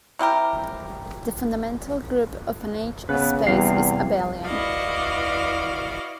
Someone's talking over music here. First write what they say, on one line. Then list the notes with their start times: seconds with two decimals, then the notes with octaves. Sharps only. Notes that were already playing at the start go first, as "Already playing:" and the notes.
The fundamental group of an H-space is abelian.
0.19 C3 E4 G4 A#4
3.09 C#3 B3 B4
3.47 E2 C3 G3 F5
4.45 E4 F#4 B4 D5 D#5 F5